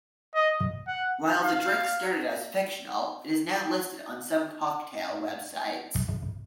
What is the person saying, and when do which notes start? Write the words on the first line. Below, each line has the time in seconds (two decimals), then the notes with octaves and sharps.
While the drink started as fictional, it is now listed on some cocktail websites.
0.34 D#5
0.87 F#5
1.42 F5